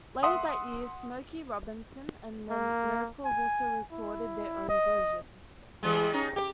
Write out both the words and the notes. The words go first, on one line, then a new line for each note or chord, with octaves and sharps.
Later that year, Smokey Robinson and the Miracles also recorded their own version.
E5 F#5 C6 D#6
A#3
G#5
E4
D#5
E3 G3 G#3
C#4 D#4
G4